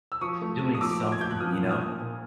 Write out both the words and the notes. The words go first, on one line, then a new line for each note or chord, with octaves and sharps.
doing something, you know,
E6
F3 C#6 D#6
A3
F3
D#6
F3 D6 E6
A#2
G#6
F3 G6
F#6
F3 D#6 F6
A#2
D#6 F6
A#2
A#2